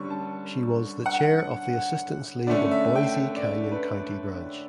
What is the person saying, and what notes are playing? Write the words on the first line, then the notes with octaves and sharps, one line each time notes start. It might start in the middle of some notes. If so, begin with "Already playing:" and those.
She was the chair of the Assistance League of Boise Canyon County Branch.
Already playing: D3 G3 C#4 C#6
A5
F#5
D3 A3 C#4 D5
E5
G5
D5
B4